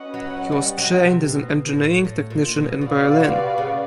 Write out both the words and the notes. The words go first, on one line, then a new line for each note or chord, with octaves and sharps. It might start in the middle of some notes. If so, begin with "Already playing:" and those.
He was trained as an engineering technician in Berlin.
Already playing: C#4 F#4 B4 D#5 F#5
F#3
G3
F#3
C3
B2
A2
A2
A#2
B2
B2 F#4 B4 D5 F5
C3
C#3